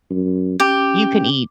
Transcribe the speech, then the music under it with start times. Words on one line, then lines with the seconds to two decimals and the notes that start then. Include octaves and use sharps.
You can eat
0.11 F#2
0.60 C#4 G4